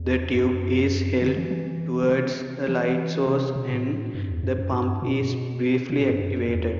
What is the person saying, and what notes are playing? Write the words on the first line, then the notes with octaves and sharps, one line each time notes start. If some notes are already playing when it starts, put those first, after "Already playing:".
The tube is held towards a light source and the pump is briefly activated.
Already playing: E2
F#2
D3
E3
E3
D3
C3
E3
C3
B2
A2
G2
E2
F#2
F#2
G2
B2
C3
A2
G2
F#2
E2